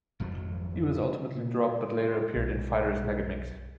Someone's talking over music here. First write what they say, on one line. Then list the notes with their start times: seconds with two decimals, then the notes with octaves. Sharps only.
He was ultimately dropped, but later appeared in "Fighters Megamix".
0.20 G#1 F2 F3 F#3
1.35 A#2
1.97 C6
2.36 B1